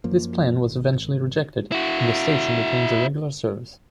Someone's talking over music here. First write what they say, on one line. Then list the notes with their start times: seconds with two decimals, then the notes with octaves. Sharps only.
This plan was eventually rejected, and the station retains a regular service.
0.04 F#2 F3 A#3
0.62 G#1
1.72 E4 F#4